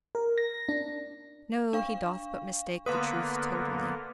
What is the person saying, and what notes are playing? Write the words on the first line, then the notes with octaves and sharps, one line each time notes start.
No; he doth but mistake the truth totally.
A#4
A#6
D4
D4 F5 C#6
D3 A#3 B3 B4 F5 C6 D#6